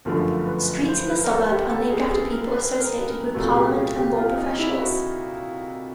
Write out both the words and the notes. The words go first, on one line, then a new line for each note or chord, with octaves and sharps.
Streets in the suburb are named after people associated with parliament, and law professionals.
G1 F#2 D3 F3 A3 A#4
B4
C5
B4
A#4
A4
G4
A4
G#4
G#4
A#4
B4
A#4
A#4
C2 A#2 F#3 A3 A4
G#4
G4
G#4
G4
F4
D#4
E4
F#4